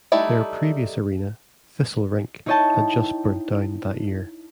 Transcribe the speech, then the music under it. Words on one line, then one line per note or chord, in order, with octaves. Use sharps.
Their previous arena, Thistle Rink, had just burnt down that year.
G3 A3 D#4 E4 D5
D#4 E4 C#5 D#5 G5 A5